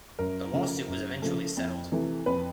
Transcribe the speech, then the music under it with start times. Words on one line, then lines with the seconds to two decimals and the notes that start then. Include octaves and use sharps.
The lawsuit was eventually settled.
0.19 F#2 A#4
0.54 C#3 F3 A3
0.88 F#2
1.22 C#3 F3 A3
1.57 F2
1.92 C3 E3 A3
2.26 F2 B4